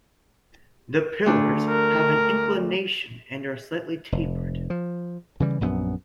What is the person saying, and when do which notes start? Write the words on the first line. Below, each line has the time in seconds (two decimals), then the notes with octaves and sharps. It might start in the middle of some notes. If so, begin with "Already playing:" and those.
The pillars have an inclination and are slightly tapered.
1.26 D2 D4
1.69 A#4
4.12 F1
4.70 F3
5.40 C#3 E3 G3
5.61 A#1 F#2 F3 B3